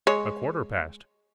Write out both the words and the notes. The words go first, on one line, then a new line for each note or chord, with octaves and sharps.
A quarter past.
G#3 C#5